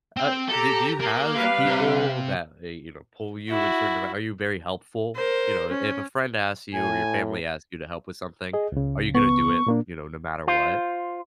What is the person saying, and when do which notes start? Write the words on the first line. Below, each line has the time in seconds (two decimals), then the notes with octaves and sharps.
Uh, do do you have people that, hey, you know, pull you in certain dire are you very helpful? You know, i if a friend asks you, or your family asks you to help with something, are you gonna do it, you know, no matter what?
0.17 C4 G5
0.48 G4 A4 A#5
1.00 A#3
1.36 G3 B4 F5
1.66 C3
3.50 E4 F#4
5.16 A#4 C5
5.68 C#4
6.74 A2 G#5
8.53 G#4 D#5
8.72 C#2 C#3
9.15 B3 C#6
9.67 A#2 A#3 D4
10.48 F4 C5